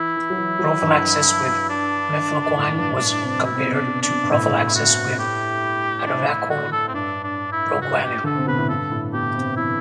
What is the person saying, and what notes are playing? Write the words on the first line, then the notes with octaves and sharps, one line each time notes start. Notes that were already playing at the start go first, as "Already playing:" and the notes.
Prophylaxis with mefloquine was compared to prophylaxis with atovaquone-proguanil.
Already playing: E3 E4
E3
F#3
E3
F#3
G2
D4
G2
A2
G2
G2
A2
C3
B2 E4
C3
B2
D4
D4
G2
A2 E4
F#4
G4
D4
E4
F#4
A4
C4
G2 D4
D4
E4
F#4
G4
D3 A4
C3
B2 B4
A2
G2 A4
A2
B2 G4
C3
E3 E4